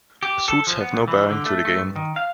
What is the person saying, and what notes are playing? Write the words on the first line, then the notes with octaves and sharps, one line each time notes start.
Suits have no bearing to the game.
G4
A4
F3
B3
B1
E3
D3
A3
A3
G2
D#3
F5